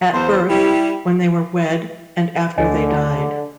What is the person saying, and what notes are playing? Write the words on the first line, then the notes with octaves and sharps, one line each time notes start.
At birth, when they were wed and after they died.
E2 C5
G3 E4
D2 D3 C#5 D#5 G#5